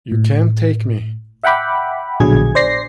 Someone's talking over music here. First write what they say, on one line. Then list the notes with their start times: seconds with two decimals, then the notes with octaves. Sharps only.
You can't take me!
0.12 A2
1.44 E5 F#5 G5 B5 D6
2.20 A#1 B2 D3 F#3 G#4 G#6
2.55 C5 D5 A#6 C7